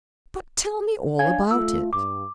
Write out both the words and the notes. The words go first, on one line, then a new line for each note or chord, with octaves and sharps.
But tell me all about it!
D4 C#5 F5 G#5 G#6
A3 F4 E6
G2 D6